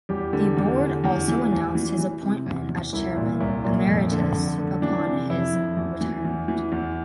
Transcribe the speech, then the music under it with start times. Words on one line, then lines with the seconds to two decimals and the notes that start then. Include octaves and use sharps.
The board also announced his appointment as chairman "emeritus" upon his retirement.
0.09 E2 G3 G4
0.33 D3
0.57 E2
0.80 D3
1.04 E2
1.28 E3
1.52 E2
1.75 E3
1.98 E3
2.22 C3
2.46 E2
2.69 E2
2.93 C2 E4
3.17 A#2
3.41 C2
3.64 A#2
3.87 F2
4.12 D3
4.35 F2
4.58 D3
4.82 E3 D4
5.06 C3
5.30 F2 E4
5.53 F2
5.77 E2 E4
6.01 E3
6.24 E2
6.48 E3
6.72 E2